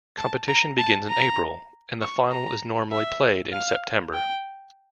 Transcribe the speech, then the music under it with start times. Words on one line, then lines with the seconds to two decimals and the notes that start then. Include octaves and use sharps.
Competition begins in April, and the final is normally played in September.
0.18 A5
0.48 A#5
0.78 A5
1.09 A#5
2.01 C#6
2.31 A#5
2.92 E5
3.53 F5
4.14 G5